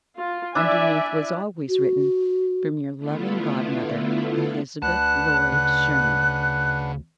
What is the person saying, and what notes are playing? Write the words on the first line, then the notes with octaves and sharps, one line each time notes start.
Underneath was always written: "From your loving godmother, Elizabeth Lloyd Sherman."
F4
D4 E4 D5 E5 G#5
F#4
D3 A3 B3 E4 F4
D2 D4 B4 F#5 A5 F#6
C#3